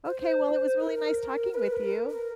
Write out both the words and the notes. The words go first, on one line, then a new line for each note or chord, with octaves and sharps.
Okay, well, it was really nice talking with you.
C5
A#4
B4
A#4
A#4